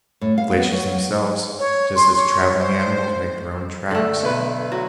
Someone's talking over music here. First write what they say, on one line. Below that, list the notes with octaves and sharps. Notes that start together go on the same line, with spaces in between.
"The glaciers themselves, just as traveling animals make their own tracks."
A2
F5
B3
F#3
C#5
C6
C#5
C5
D3 A3
B1 B4
F#3